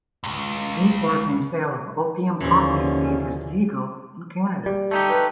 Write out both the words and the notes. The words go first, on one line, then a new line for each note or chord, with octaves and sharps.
The import and sale of opium poppy seeds is legal in Canada.
C#2 F#2
D#2 D3 E3 F3 C#4
G3
A3 D#4 G4
B4